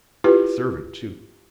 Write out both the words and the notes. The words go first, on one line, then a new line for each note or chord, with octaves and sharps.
A servant too.
E4 F4 G4 B4